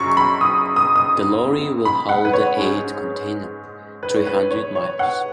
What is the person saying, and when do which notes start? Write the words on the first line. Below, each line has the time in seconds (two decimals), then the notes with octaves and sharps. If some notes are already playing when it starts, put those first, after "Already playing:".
The lorry will haul the aid container three hundred miles.
Already playing: F#2 C#3 F#3 C#6
0.17 B5
0.41 D#6
0.76 D#6
0.96 D#6
1.85 B5
2.09 F#5
2.25 B4
2.33 C#5
2.57 G#2 G#3 C#4
4.03 B4
4.16 C#5
4.27 B4
4.51 C#5
4.75 C#5
4.99 F#5